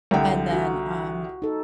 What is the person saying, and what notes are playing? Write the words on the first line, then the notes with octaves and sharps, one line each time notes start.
and then, um,
C2 D3 G5
F4 F#4
D#4 A4